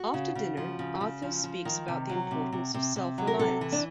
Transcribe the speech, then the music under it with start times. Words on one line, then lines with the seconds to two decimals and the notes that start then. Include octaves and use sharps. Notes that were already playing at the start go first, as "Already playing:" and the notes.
After dinner, Arthur speaks about the importance of self-reliance.
Already playing: F#4
0.14 C#3
0.35 C#3
0.57 F3
0.79 C#3
1.01 C#3
1.22 F3
1.44 F3
1.65 D#3
1.88 C3
2.10 F#3
2.31 C3
2.52 C3
2.74 C3
2.96 C3
3.18 F#3
3.27 A#4
3.39 C3 A4
3.61 E3
3.72 D4